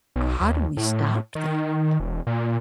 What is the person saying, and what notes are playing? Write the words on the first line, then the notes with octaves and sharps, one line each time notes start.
How do we stop that?
B1
D#2
A2
D#3
E1
A#2